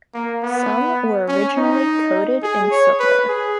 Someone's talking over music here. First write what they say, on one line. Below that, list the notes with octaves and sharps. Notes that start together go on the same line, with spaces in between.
Some were originally coated in silver.
A#3
B3
C#4
D#4
G#4
C#5
B4
G#4